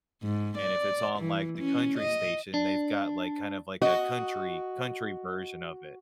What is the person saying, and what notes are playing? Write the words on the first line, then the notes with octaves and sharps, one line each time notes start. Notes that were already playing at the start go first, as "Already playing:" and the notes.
and if it's on, like, the country station, they've got, like, kind of, like, a country country version of it.
G#2
D5
E3
C#4
D#5
D4
F#4 D#5